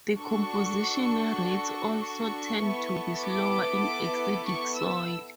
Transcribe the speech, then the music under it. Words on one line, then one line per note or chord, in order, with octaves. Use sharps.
Decomposition rates also tend to be slower in acidic soils.
D4 F#4 A4 C#6
C#6
B3 E4 A4
D6
C#6
E6